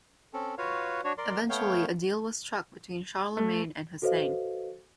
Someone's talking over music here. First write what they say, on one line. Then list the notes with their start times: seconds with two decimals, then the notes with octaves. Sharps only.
Eventually a deal was struck between Charlemagne and Husayn.
0.33 C4 C#4 A4
0.58 F4 F#4 B4 C#5 F5
1.04 D4 F#4 C#5
1.18 A#4 D5 C6
1.49 A3 B3 C#5 F5 G5
3.37 A3
4.02 F#4 A4 B4 C5 D#5 F5